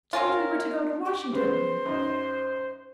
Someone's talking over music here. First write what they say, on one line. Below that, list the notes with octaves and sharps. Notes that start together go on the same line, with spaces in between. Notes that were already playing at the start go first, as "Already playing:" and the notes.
Told we were to go to Washington.
C4 C#4 F4 A#4
G4
C#3 B3 C5
F#2 D#4